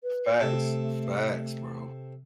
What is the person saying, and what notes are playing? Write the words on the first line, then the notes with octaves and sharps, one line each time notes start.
Facts. Facts, bro.
B4
C3 A3 A4